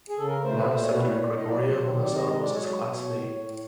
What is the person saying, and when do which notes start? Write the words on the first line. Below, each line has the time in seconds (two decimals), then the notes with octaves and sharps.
Now-senator Gregorio Honasan was his classmate.
0.09 G#4
0.18 C#3 A4
0.27 A#4
0.44 A3 C5
0.57 B4
0.70 A#2 C5
0.84 C#5
0.97 A2 B4
1.10 C#5
1.23 A2 D5
1.37 D#5
1.49 F#3 D5
1.67 C5
1.76 D#3
2.02 C3 D5
2.16 D#5
2.29 G#3 D#5
2.42 D5
2.55 F#3 C#5
2.81 B2
3.08 A2
3.35 A2